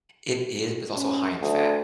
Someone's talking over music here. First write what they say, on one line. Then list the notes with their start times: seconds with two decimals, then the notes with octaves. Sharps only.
It is, but it’s also high in fat.
0.94 C#4
1.41 D2